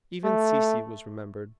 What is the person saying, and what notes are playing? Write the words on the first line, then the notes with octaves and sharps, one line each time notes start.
Even Cecy was remembered.
A3